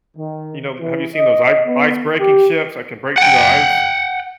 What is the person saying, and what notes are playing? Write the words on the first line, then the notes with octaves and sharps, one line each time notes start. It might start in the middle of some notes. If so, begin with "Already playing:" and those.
you know, have you seen those i ice breaking ships that can break through the ice?
D#3
E3
D#5
B3
G4
F#5 G5